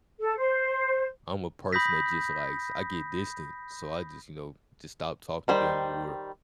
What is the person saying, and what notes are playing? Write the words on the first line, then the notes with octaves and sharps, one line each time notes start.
I'm a person that just likes I get distant, so I just, you know, just stop talking to them, or
A4
C5
B5 D#6 G6 A#6 B6
D#3 G3 C5